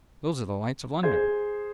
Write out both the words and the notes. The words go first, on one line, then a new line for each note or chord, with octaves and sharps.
Those are the lights of London.'
G#4 C5 G#6